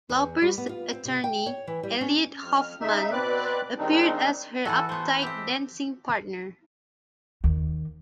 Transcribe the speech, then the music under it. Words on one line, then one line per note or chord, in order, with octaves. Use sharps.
Lauper's attorney, Elliot Hoffman, appeared as her uptight dancing partner.
E2
G3
B3
F4
C4
C3
G5
C#5
E3
G3
C#4
F2 F6
C#3 D#4 E5
B2 C4 B4 D5 D6 F#6
D#3 G3 G#3 C4 D4 D#4
E3 F#4 A4
A3 B3 C5
C4 G4 E5
D#2